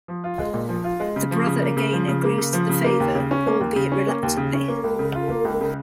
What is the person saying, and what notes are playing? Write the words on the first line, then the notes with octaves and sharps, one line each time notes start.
The brother again agrees to the favor, albeit reluctantly.
F3
F4
G#3
A#2
F3
F4
G#3
C#3
F3
C#3
A#3
C#3
F3
C#3
A#3
C#3
F3
C#3
A#3
D#2
C#3
C#4
A#3
D#2
C#3
C#4
A#3
D#2
C#3
C#4
A#3
C#2
C#3
F4
A#3
C#2
C#3